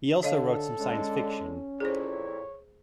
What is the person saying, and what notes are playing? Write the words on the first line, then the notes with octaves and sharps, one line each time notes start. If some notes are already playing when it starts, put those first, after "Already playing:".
He also wrote some science fiction.
D3 A4 C#5 D#5 F5
D3 G#3 C#4
F2 A#2 E4 G#4 C5 C#5